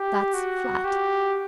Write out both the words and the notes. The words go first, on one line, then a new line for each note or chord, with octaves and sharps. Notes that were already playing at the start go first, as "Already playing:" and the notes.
That's flat.
Already playing: G4
F#4
G4